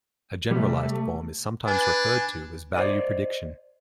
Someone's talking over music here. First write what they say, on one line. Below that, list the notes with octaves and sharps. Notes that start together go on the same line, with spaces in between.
A generalized form is sometimes referred to as value prediction.
C3 G3 A3
D4 B4 G#5
C5 D5 D#5